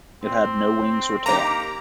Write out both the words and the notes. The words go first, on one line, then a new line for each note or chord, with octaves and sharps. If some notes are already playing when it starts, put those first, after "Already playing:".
It had no wings or tail.
C4
A#3 D#4 G4 A#5